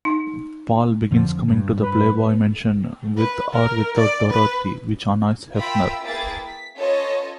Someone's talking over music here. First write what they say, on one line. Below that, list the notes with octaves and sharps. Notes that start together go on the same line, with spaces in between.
Paul begins coming to the Playboy Mansion, with or without Dorothy, which annoys Hefner.
D#4
F2 D3 F3
G2
B4
B4
A#4
D5
B4
F4 A#4 E5 G5 B5 E6
A#3 E4 G#4 B4 G5 A6
B6
C#4 F4 A4 B4 C#5 D#5